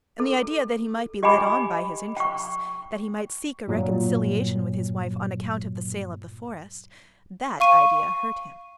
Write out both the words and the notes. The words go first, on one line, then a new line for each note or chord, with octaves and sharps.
And the idea that he might be led on by his interests, that he might seek a reconciliation with his wife on account of the sale of the forest--that idea hurt him.
A4
G4 D#5 G5 G#5 B5 D6
G5 C#6
G2 A#2 F#3
F5 C#6 D#7